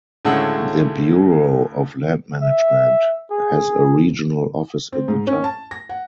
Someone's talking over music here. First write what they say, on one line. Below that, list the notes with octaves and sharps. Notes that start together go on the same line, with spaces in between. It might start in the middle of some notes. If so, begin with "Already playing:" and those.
The Bureau of Land Management has a regional office in the town.
D2 A2 C#3 G#3 F#5 E6
E5
G#4
C4
G#2
C#4
A5
A#6
F#5